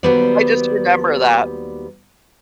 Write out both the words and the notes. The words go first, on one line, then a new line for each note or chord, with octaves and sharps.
I just remember that.
D#2 F#3 G3 B3 C5 D5